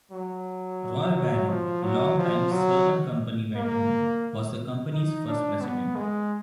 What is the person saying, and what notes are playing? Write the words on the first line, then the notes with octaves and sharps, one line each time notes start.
Roy Barron, long time Southern Company veteran, was the company's first president.
F#3
F3
F#3
F3
F#3
A#3
D#4
D4
B3
G#3